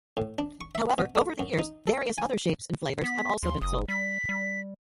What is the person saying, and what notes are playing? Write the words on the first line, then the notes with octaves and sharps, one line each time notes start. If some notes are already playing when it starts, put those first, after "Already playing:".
However, over the years, various other shapes and flavours have also been sold.
A2
D4
C#6
E5
B2
A3
F#2
D#4
A4
G#5
B3 B6
D#2 C6
F#1 D#6
G3 B6
G3